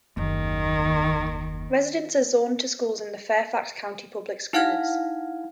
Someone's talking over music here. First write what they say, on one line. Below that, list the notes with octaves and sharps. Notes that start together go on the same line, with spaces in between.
Residents are zoned to schools in the Fairfax County Public Schools.
F#1 D#2 D#3
D#4 E4 F5 F#5 F6 G#6